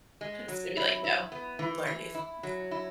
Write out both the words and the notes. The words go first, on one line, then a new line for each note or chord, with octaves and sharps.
It's gonna be like, no, you learn new things.
G#3
F#3
E4
E4
B3
E3
E3
E4
F#3
E4